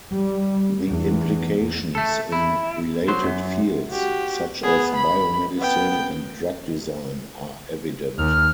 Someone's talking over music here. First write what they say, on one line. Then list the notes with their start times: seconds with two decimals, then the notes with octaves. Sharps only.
The implications in related fields, such as biomedicine and drug design, are evident.
0.12 G3
0.89 E2
1.95 A3 A4
2.32 E4
3.08 F#3 C5
3.24 F#2
3.91 F#4 G4
4.63 B3 G#4
4.95 B5
5.58 B3 G5
8.18 D#2 F6